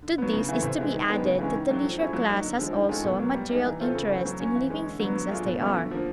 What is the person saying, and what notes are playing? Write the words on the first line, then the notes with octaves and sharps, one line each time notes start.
To this is to be added that the leisure class has also a material interest in leaving things as they are.
D3
F#3 B3
C#3
E3 A3
C3
E3 G#3
D#3
G#3 B3 D4
C#3
E3 G#3 C#4
D#3
F#3 A3 D4
F3
A3 C#4 E4 G#4
F#3
A#3 D#4
D3
F3 G#3
D#3
G#3 C#4 F4 A4
B2
F#3 A#3
G3
A#3 D#4 G#4
E3
A3 C4 F4 A4
C#3
E3 A3 C4
F#3
A#3 C#4
E3
G#3 C#4
D3
F#3 B3
F#3
A3 D4 F4 G#4
B2
F#3 A3 C#4 F4
D3
F3 A#3